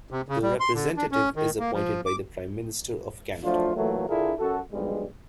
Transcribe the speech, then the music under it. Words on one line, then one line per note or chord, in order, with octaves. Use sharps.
The representative is appointed by the Prime Minister of Canada.
C3
C#3
G3
C6
D3
D4
C#4
D#3
A#3
F3
D6
F3 F#3 A3 D4 F4
A#2 E3 F#3 A3
D3 D4 E4 F4 G#4 A#4
F#2 F#4 A4
B1 G2 F3 G3 G#3